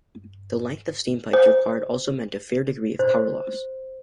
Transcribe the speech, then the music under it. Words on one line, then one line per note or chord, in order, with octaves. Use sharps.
The length of steam pipes required also meant a fair degree of power loss.
C5
C5